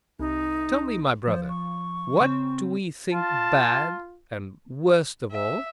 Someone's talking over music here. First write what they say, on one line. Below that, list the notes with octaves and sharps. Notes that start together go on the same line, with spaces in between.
Tell me, my brother, what do we think bad, and worst of all?
C2 D#4
F3 C5
C#6
C#3 C4
F4 A5
E5